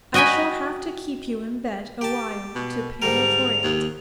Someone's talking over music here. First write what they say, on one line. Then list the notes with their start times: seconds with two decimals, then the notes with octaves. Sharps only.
"I shall have to keep you in bed awhile to pay you for it."
0.14 F#4 D#5 G5 G#5 B5
2.01 G4 A5
2.55 B2
3.02 G#2 D3 G3 A#4 F7
3.63 D#2